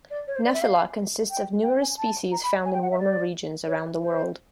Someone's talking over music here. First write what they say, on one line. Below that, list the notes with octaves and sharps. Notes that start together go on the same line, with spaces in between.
"Nephila" consists of numerous species found in warmer regions around the world.
D5
C#5
C5
D5
E5
F5
G5
G5
G#5
A5
A#5
B5
G#5
G5
F#5
E5
D5
C#5
C5